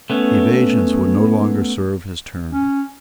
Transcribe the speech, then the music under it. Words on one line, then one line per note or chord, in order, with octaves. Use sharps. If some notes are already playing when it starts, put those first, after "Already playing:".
Evasions would no longer serve his turn.
A3 B3 C#4
C#4